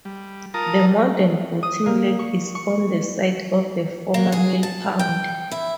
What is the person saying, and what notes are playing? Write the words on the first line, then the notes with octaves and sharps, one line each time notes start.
The modern boating lake is on the site of the former mill pond.
G3
F4 A#4 A5 A#5 D#6
D#6
A#3
C#6
C#6
A#3
G#4
A5
G5
E4